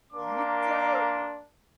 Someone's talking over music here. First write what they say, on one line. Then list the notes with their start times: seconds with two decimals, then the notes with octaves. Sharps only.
You were terrible!
0.13 A#3 D4 A#4 C6 D6